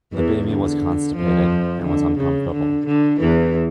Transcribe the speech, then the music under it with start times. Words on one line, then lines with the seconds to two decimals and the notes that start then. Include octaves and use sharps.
The baby was constipated and was uncomfortable.
0.13 E2 E3
0.48 D3
1.16 F2 F3
1.84 D3
2.18 C#3
2.52 D3
2.86 D3
3.20 E2 E3